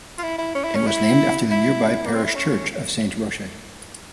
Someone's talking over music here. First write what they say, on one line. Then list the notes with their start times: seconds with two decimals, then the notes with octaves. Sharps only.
It was named after the nearby parish church of Saint Roche.
0.18 F4
0.23 E4
0.38 E4
0.55 C#4
0.64 E4
0.76 C#4
0.87 E4
1.51 E4
2.06 A#3
2.14 C4
2.24 E4
2.36 C#4